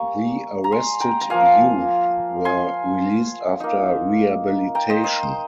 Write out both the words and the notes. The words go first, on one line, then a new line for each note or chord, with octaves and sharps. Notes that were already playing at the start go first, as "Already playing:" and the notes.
The arrested youth were released after rehabilitation.
Already playing: G3 A#3 G#5 A#5 C#6
A#5
G#5 C6
G5 A#5
A#5
F3 A#3 F4 F5 G#5
G#5 C6
A#3 D#4
G5 A#5
C5 D#5
C5 D#5